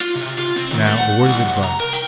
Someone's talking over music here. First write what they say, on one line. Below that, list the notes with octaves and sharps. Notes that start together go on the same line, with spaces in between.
"Now, a word of advice."
F4
C3
F4
C4
D#3
A3
F#5
C2
C3
A#5
A#4
G5